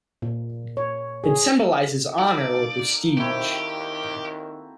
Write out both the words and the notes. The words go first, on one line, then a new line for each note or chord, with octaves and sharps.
It symbolizes honour or prestige.
A#2
C#5
G#4
A#3 D#4 A4 D5
D#3 C4 E4 F#4 G4